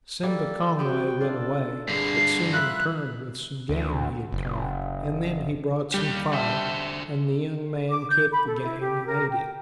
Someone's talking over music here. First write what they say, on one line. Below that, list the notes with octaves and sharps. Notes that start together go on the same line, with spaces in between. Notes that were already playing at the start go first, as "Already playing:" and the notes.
Simba Kongway went away, but soon returned with some game he had caught, and then he brought some fire, and the young man cooked the game and ate it.
G3 A#3 A4
B3 C4 F#4 G4 G5
D4 F4 A4
G2 D3 G#4 C7
F4 A#4 E5 F5 B5 F#6
D2
F#1
D#2 G3 G4
D3 C5 E5 G5 A5
D6
G6
B5
A4
E4
G4
A#4
G5